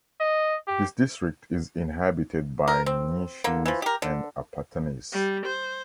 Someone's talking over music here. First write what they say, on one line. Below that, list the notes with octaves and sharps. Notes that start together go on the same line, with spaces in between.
This district is inhabited by Nyishis and Apatanis.
D#5
G4
A#4
C4
D3 A#3
E3 F3
G4 A#4
D3
G3
C5